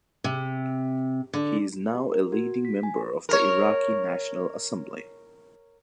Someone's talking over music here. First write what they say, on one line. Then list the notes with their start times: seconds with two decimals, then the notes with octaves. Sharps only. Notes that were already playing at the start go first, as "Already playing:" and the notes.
He is now a leading member of the Iraqi National Assembly.
0.24 C3
1.34 D3
1.95 G4
2.12 A#4
2.32 F#4
2.65 B6
2.83 G#5
3.29 A#4 C#5